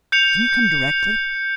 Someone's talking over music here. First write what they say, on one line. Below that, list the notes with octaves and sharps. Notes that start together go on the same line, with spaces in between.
Can you come directly?'
G6 C#7 F7